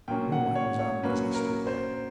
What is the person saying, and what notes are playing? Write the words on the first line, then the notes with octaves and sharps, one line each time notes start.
The moonlight was on me as I stood there.
A#2 F#3 A#3 C#4 G5
F#5
C#5
C#5
A#2 F#3 A#3 C#4 B4
A#4
C5